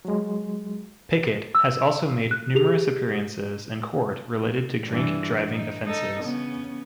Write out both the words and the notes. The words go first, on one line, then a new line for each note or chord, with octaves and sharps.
Pickett has also made numerous appearances in court related to drink-driving offences.
F#3 G#3
E6
F#6
G4 G#4 F7
G2 E3
D#4
D#4 A4
C#3 B3 C#4